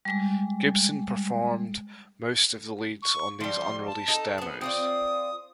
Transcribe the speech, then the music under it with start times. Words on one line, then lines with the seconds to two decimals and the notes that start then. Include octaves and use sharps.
Gibson performed most of the leads on these unreleased demos.
0.05 G3 G#3
3.02 C#6
3.40 F3 G3 C6
3.86 A5
4.08 D#4 A4
4.38 B3 G#4
4.61 C4 F4 D5 D#6